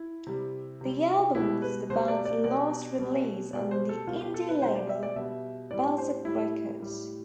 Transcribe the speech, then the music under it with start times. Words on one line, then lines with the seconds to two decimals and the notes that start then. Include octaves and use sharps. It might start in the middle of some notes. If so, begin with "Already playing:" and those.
The album was the band's last release on the indie label Barsuk Records.
Already playing: E4
0.27 C3 G3
0.81 C3 G3
1.35 B2 G3 E4
1.62 B4
1.90 B2 G3 C5
2.08 D5
2.25 D5
2.44 B2 G3 D5
2.99 B2 G3
3.53 B2 G3 D5
3.71 C5
3.89 A4
4.07 B2 G3 F4
4.21 G4
4.34 A4
4.48 B4
4.62 B2 G3 C5
4.75 D5
4.89 E5
5.03 D5
5.16 B2 G3 E5
5.71 A2 G3 D5
5.98 C5
6.25 A2 G3 E4
6.79 A2 G3